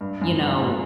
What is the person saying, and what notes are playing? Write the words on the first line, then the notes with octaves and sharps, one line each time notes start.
you know,
G2
F#2
G2
A2